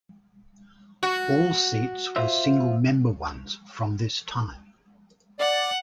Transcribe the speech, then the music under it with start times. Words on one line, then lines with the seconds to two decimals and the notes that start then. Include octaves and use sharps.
All seats were single member ones from this time.
1.03 F#4
2.16 F4 C5 E5
5.39 D5 F#5